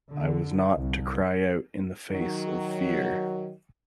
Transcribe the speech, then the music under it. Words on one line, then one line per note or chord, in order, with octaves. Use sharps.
I was not to cry out in the face of fear.
D3
C2
D#3 F#3